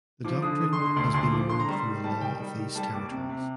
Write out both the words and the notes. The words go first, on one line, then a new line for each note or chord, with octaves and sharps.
The doctrine has been removed from the law of these territories.
F3 D6
D3 D#6
D3 D#6
C6
D3
C6
D2 C6
D2 C6
F3 D6
D3 C6
A#5
G3 C6
D#3
G3 A5
D#3 G5
G3
D#3
G3 A5
D#2 D6
C3
C3